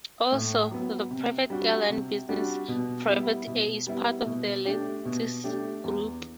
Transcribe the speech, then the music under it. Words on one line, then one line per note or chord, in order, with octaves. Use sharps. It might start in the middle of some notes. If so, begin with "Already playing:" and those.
Also, the private airline business PrivatAir is part of the Latsis Group.
A2
F#3 B3
C3
G3 D4 F#4
C3
G3 D4 F#4
B2
G3 B3 E4
B2
G3 B3 E4
B2
A3 D4 G4
B2
A3 D4 G4
E2